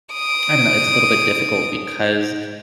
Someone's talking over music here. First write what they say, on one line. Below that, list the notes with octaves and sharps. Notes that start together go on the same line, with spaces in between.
I don't know, it's a little bit difficult because
D#6 D7